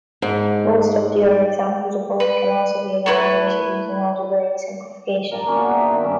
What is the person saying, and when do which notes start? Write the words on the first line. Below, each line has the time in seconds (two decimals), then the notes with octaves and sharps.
Most of the other examples above can also be evaluated using algebraic simplification.
0.22 G#2
2.20 B4
3.06 A3 E4 B4
5.32 A#4 D5 A5
5.46 A#3 C#4 F#4
5.59 A#3 B3 D4 G#4
5.72 A4 C5 E5
5.91 D#3 B3 D5 E5
6.04 G2 C#4 E5